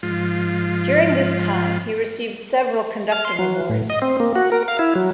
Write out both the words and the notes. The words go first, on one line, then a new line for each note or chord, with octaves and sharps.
During this time, he received several conducting awards.
G#2 F3 F4
F6
C6
F#3
A2
D#5
C4
A#3
F#4
A#4
F5
E4
F#3